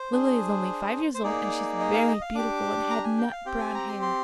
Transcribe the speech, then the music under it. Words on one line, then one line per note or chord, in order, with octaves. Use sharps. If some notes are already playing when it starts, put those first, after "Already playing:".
Lily is only five years old and she is very beautiful and had nut-brown hair.
Already playing: C5
D4 G#4
C5
A#3 D#4 G#4 D5
D#5
F5
D#5
F5
D4 G4 D6
A#5
G#5
G5
F5
C4 G4 G5
G#5
A#5
C6
C6